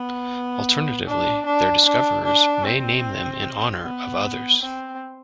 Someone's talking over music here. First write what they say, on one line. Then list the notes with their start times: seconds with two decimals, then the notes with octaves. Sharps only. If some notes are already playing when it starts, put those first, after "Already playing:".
Alternatively, their discoverers may name them in honor of others.
Already playing: B3
1.07 D4
1.46 D4
1.86 D4
2.25 D4
2.64 C4
3.83 B3
4.62 C4